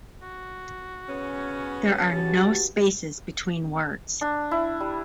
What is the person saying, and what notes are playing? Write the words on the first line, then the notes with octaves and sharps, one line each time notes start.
There are no spaces between words.
F#4
C#3 B3 C#4
G2 F#4 G4 A5
D4
E4
G3